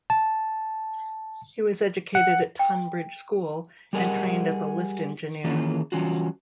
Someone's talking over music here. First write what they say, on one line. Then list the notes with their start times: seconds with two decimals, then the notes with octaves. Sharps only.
He was educated at Tonbridge School and trained as a lift engineer.
0.10 A5
2.15 F#5
2.59 G5
3.93 G3 G4 G#4 A#4 D#5 F#5
5.44 D#3 E3 A#3 C#4 F4 G#4
5.92 E3 G3 C#4 F4 F#4